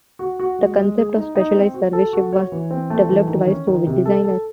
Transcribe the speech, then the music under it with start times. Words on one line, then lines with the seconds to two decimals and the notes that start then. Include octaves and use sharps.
The concept of a specialized surface ship was developed by Soviet designers.
0.19 F#4
0.40 F#4
0.59 G#3
0.78 G#3
0.98 G#4
1.16 D#4
1.36 D#4
1.55 C4
1.74 F#4
1.93 A4
2.13 F#4
2.33 C#5
2.52 E3
2.71 C4
2.90 A3
3.09 E3
3.28 D#3
3.48 C#4
3.67 D#3
3.87 C3
4.06 A4
4.24 A4